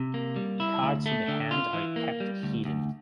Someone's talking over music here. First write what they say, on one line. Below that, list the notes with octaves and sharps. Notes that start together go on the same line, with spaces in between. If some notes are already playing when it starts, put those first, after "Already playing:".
Cards in the hand are kept hidden.
Already playing: C3
A#3
G3
E4
D2
A3
D3
F4
E3
A#3
G3
D2
D2